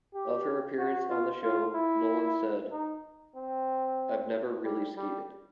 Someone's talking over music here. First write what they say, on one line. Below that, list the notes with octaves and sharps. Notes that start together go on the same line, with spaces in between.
Of her appearance on the show Nolan said, I've never really skated.
G4
F#4
F4
F4
E4
D#4
C4
G3
G3